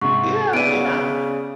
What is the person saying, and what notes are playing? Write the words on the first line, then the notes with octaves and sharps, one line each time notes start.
Yeah, yeah.
G#2 C3 C#6
B3 D5 E5 D7 D#7
C#3